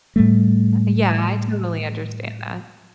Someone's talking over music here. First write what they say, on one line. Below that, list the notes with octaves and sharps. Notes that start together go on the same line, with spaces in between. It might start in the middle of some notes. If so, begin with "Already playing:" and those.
Yea Yeah I totally understand that.
A2 G3 A3